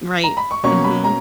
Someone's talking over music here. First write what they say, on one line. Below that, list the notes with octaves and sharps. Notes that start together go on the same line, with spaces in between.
Right, mhm.
A#5
B5
C#6
B2 A#3 C#4 C#6
B5
A#5